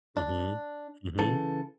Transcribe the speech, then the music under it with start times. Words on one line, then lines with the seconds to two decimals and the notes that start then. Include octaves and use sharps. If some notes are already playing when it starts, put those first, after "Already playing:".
Mhm. Mhm.
0.17 D4
1.19 C#3 E3 A4